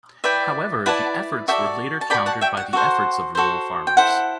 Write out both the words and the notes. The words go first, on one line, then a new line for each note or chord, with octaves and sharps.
However, the efforts were later countered by the efforts of rural farmers.
E4 B4 D5 E5 G5
E4 B4 D5 F#5 A5
F#4 A4 D5 E5 G5
A5
F#4 A4 D5 G5 B5
F#5 A5
E5 G5
F#5
F#4 A4 C5 F#5
F#4 A4 C5
G5
E4 A4 C5 F#5